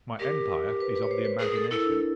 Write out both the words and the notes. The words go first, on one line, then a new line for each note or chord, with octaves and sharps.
My empire is of the imagination.
G4 A#4
B4
B4
C#5
C5
B4
G#4 A#4
A4
E4 A4
D4